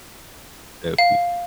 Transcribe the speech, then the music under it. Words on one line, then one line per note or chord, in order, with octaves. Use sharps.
That'd be
F5